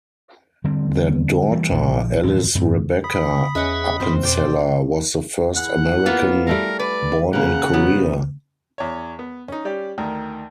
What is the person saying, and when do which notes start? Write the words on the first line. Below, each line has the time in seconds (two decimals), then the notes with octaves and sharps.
Their daughter Alice Rebecca Appenzeller was the first American born in Korea.
0.64 D3 G3 C4
1.51 E3 G3
1.71 A#1 F3
2.23 D#1 F2 G#2 D3
2.55 F#2 A2 C4
3.04 B5 D#6 B6
3.55 E2 C#4 G#4 B4 D#5 E5 F#5
4.00 F2 C4 C5
4.23 B2 C5 D5 G5
5.56 E2 F#5
6.06 A#3 B3 F4
6.47 G3 A3 A#4 F5
6.79 B4 D5
7.33 C#3 A#3 C#4 F#5
7.73 F#3 B3
8.78 E2 C#5
9.19 B3
9.48 C#4 D#4
9.65 G3 C#4 G4 D5
9.98 D2 D#3 A#4